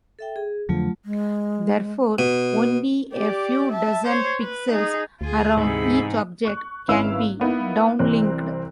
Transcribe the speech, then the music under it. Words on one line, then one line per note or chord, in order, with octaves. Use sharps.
Therefore, only a few dozen pixels around each object can be downlinked.
A4 E5 G5
G#4
F2 D3 F3 F#3 A3 F4
G#3
B2
G4 D5
E5 A5
C5 C#5
B4
D#4 G#4
D2 F4 G#4
G#2 C3 E3 G#4 B5 E6
C#6 F#6
G#1 C#4 E4 B4 F5 E6
A#3 B3 D#4 E4
C2 E3 C4 F#6